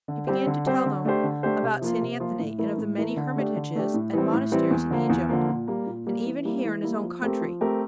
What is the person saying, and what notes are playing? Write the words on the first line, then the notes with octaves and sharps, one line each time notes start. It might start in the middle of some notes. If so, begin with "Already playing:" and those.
He began to tell them about St. Anthony, and of the many hermitages and monasteries in Egypt, and even here in his own country.
D3
G3 C4 G4 C5
D3
G3 C4 G4 C5
D3
A3 D4 G4 C5
D3
A3 D4 G4 C5
C3
F3 A#3 F4
C3
F3 A#3 F4
A2
E3 A3 E4 A#4
A2
E3 A3 E4 A#4
D3
A3 D4 G4
D3
A3 D4 G4
A2
E3 G3 C4
A2
E3 G3 C4
E2
D3 F3 A#3
E2
D3 F3 A#3
A#2
G3 A#3
A#2
G3 A#3
E3
G3 A#3 E4
E3
G3 A#3 E4
F3
A3 C4 G4 A#4
F3
A3 C4 G4 A#4